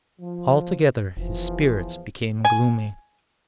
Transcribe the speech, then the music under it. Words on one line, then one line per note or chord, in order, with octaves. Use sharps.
Altogether his spirits became gloomy.
F3
F1 E2 E3 F3
G#5